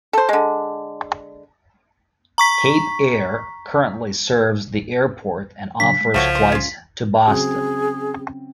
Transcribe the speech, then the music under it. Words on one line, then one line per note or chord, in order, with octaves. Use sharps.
Cape Air currently serves the airport and offers flights to Boston.
A4 C5
D3 G#3
A#5 C#6 B6
C#3 F#3 D4 B6
G#3
C2 C#3 F3 A3 F#4 C#5
C5
C#4 F4
C#3 F#3 C4 G#4